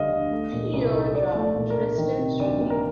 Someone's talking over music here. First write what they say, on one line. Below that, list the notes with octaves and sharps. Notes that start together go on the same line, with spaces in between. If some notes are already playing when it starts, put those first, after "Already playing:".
Few year round residents remain.
Already playing: D2 D3 G3 D#5 F5
D2
A3
A#2
C2
D#4
D#4 D5
A3
D5
A#2
A#4
A#2
D#3
C3
D2 D5
A#3
A#4